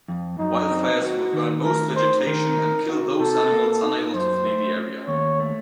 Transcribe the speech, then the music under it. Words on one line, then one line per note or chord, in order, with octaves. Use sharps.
Wildfires will burn most vegetation and kill those animals unable to flee the area.
F2
F#2 D#4
C4
F#4
D#3
A3 A#4
D#4 C5
D#3 A#4
D#4
F#4
C3 A4
A#3
D#4
F#2 C5
A3
C#4
D#2 C#5
A3